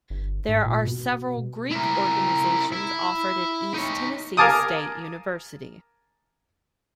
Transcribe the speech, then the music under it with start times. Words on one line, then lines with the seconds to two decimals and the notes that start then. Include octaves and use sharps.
There are several Greek organizations offered at East Tennessee State University.
0.10 G1
0.49 G#2
0.65 A#2
0.87 B2
1.71 E4 A#4
2.72 E4
3.74 D#4 C#5
4.37 A#4 F5 G#5 A5 D6 D#6